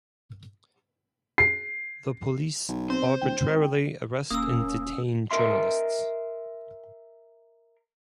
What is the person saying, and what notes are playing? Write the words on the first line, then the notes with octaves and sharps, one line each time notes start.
The police arbitrarily arrest and detain journalists.
C7
B1
C4 C5
D1 G5
G#1
D#1 A#3 C#4 D#6 E6
A#4 D#5 E5 C6